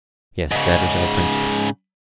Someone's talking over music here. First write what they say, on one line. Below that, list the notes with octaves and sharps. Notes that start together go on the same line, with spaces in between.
Yes; that is our principle.
G#2 C#3